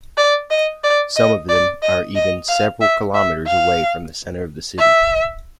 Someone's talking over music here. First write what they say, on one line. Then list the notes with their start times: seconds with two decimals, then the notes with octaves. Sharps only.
Some of them are even several kilometers away from the center of the city.
0.17 D5
0.51 D#5
0.84 D5
1.16 D#5
1.49 D5
1.82 D#5
2.15 D#5
2.48 F5
2.81 E5
3.14 E5
3.47 F5
4.78 E5